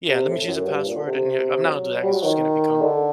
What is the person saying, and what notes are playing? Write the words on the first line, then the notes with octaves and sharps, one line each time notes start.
yeah, "Let me change the password," and, you know, I'm not gonna do that because it's just gonna become
C3
A2
F#2
G2
A#2
D3
C3
F#3
G3
F#3
D#3
D3